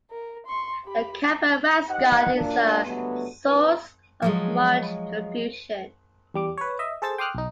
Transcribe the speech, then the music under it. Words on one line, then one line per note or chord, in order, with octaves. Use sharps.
The "Camper" mascot is a source of much confusion.
A#4
C6 C#6
G4 B5
D#4 G4 C5 D#5 F#5
F#2 A#2 A#3 D4
G2 D3 F#3 G#3 A3 B3
G#1 C4 C#4 D#4 B4
F3 F#3 G#3
E2 G3 D6
B4 C#5
D#5 E5
G#4 A4 C5 A5 E6 A6
G5 C6 D6 D#6 F6 F#6
B1 D#4